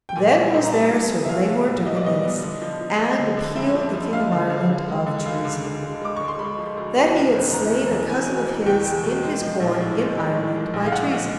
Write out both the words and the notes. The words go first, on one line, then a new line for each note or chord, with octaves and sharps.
Then was there Sir Blamore de Ganis, and appealed the King of Ireland of treason, that he had slain a cousin of his in his court in Ireland by treason.
G5
A#2 G#5
G3
A#2
A#5
G3 A5
A#2
B3
E5
B1 F5
B1
A#2
G3 D#5
D5
B3 D#5
B3
D3
F3
F3
G#3
D3
D3
F2 E5
F3
F3
G#3 F5
D3
D3
D3
G#3
D3
D2 F5
D3
D3
G#3
G#3 D6
G#3 C#6
C6
G#3 B5
F3
D2
B2
E2
E1
E2 A#5
E1
E2
E2 G#5
B2
E2
E2 G5
E1
B2
G#3
F3
A#1
A2
G#3
F3
A2
G#3
A#1
F5
G#3 F#5
A#1